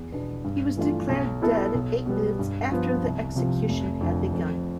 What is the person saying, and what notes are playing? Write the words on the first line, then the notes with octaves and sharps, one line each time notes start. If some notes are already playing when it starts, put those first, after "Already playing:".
He was declared dead eight minutes after the execution had begun.
Already playing: E2
B2 B3 D4
G2
E3 A3 D4 F4
B1
B2 B3 E4 A4
B1
B2 G3 B3
G2
F3 B3
C2
C3 F3
F1
F2 D3 F3
F2